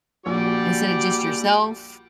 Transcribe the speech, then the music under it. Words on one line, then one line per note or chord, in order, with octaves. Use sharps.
instead of just yourself
A#1 G3 F#4 D5 D6